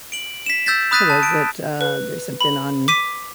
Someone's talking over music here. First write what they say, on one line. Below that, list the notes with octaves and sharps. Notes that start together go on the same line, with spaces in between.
what was it, uh, there's something on
D7 F#7
B6 E7
E6 G6 A6 B6
B5 D#6 F#6 A6 B6 D#7
A5
D7
B4
B5
D6 B6 D#7